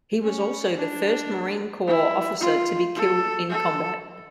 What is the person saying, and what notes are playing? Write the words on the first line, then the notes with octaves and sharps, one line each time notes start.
He was also the first Marine Corps officer to be killed in combat.
C#4
D4
E4
F4
A4
A4